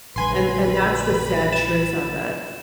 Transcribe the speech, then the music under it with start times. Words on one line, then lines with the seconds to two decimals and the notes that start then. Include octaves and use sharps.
and and that's the sad truth of it.
0.16 A#1 D3 G3 B4 G#5 B5 C6
1.53 A6 E7